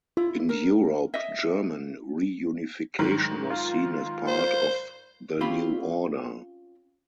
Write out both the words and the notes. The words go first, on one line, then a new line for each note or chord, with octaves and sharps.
In Europe, German reunification was seen as part of the new order.
E4 F4
A#4
D#5 E5
G#2 D#3 F#3
F4
C5
C4 C#4 F4 G4 B5